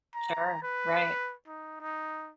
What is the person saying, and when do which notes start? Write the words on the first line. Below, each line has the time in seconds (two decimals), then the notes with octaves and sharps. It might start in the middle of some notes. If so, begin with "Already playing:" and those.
Sure, right.
0.15 A#5
0.63 B4
1.48 D#4
1.81 D#4